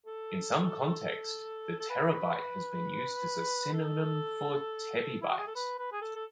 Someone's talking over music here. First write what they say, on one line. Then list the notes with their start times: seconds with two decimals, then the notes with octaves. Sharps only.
In some contexts, the terabyte has been used as a synonym for tebibyte.
0.07 A4
1.80 A4
1.90 B4
3.73 A4
5.22 E4
5.30 F#4
5.39 G#4
5.47 A4
5.55 B4
5.79 B4
5.92 G#4
6.02 A4
6.16 A4